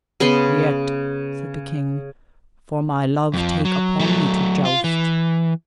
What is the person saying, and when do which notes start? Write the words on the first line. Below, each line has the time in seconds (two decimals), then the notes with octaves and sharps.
Yet, said the king, for my love take upon thee to joust.
0.20 C#3 B3 B5 C6
3.34 F2 F3
3.65 F#3
3.99 F#3 A3
4.65 F4
4.84 E3